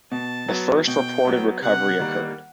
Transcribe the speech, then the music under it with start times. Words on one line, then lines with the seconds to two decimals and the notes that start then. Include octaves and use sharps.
The first reported recovery occurred.
0.11 B2 A5
0.48 F#3 B3
0.87 B2 G5
1.25 F#3 B3
1.62 C3 F#5
2.00 D#3 G3 A#3